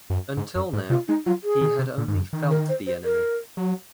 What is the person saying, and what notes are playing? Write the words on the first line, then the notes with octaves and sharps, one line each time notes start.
Until now, he had only felt the enemy.
F#2
G#2
F#2
G#2
C3 F4
G#3 D#4
F#3 F4
G#4
D#3
C3
A#2
G#2
F#2
D#3
A#4
C5
C5
A#4
F#3